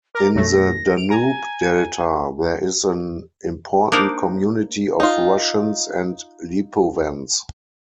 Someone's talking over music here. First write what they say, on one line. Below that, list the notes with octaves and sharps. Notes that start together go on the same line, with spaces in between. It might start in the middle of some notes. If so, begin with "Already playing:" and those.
In the Danube Delta there is an important community of Russians and Lipovans.
A#4 A#5 D6
B1 F#2 A3 A#6
D7 F7
G#5 A#5
A#3 D4 D#4 A#4 C5 D5
D#4 F4